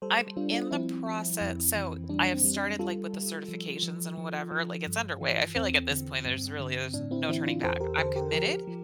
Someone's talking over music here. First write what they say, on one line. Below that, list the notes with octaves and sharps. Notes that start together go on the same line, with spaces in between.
I'm in the process so I have started, like, with the certifications and whatever, like, it's underway I feel like at this point, there's really, there's no turning back. I'm committed,
G3 A4 C5
G3 D4 F4
D4 F4
F3 C4 E4
F3
F2
E3
G3 D4
C4
G3
D4
G3 F4 A4
G3
F3
F3
F3
F3
G2
E3
E2 C4
D3
G2
D3
A2 D4
C4 E4
E3 C4 E4
D4 F4
E2 A4 C5
G4 A#4
D3 A4 C5
G4 A#4
F3 G4 A#4
F3